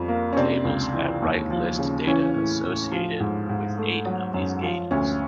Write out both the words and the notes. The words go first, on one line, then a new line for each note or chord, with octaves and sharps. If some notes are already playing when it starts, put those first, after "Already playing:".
The tables at right list data associated with eight of these gauges.
Already playing: F2 G3
A#3
C#4
C3 C4 D4
C#2
E3
D#2
F3
C#3
E3 C#4
A2
A2
F3
G#2
G#2
A3
F#3
F#2
F3
D2 C#4